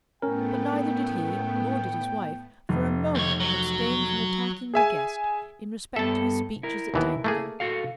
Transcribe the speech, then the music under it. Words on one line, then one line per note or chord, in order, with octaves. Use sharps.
But neither did he nor did his wife for a moment abstain from attacking their guest in respect to his speeches at Tankerville.
A2 A3 B3 C#4 A#4 G5
F1
D#2 C#5
F#3
G#4 E5 G#5
G2 B3 A4 E5 A5
E4 A#4
D#2 E3 B3
A3 A#3 G#4
F#4 A4 F5